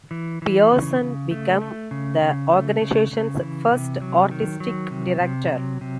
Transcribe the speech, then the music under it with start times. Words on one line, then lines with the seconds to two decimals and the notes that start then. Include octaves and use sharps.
Pearson became the organisation's first artistic director.
0.11 E3
0.42 E3
0.71 C#3
1.01 C#3
1.31 A3
1.62 A3
1.91 C#3
2.22 C#3
2.51 A3
2.81 C#3
3.11 C#3
3.41 E3
3.72 C3
4.02 F#3
4.31 D#3
4.60 F#3
4.91 C3
5.20 C3
5.51 F#3
5.81 C3